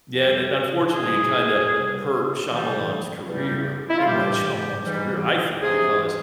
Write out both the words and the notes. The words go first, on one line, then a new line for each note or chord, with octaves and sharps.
Yeah, and it unfortunately, it kinda hurt Shyamalan's career M. Night Shyamalan's career- I think- because
F2 C3 G3
G#2 G3 G#4
C#2 C3 G3
C#2 C3 E3 G3
E2 C#3 G3
E4
F4
G2 E3 G3 G4
G#2 E3 G3
E2 C3 E3 G#4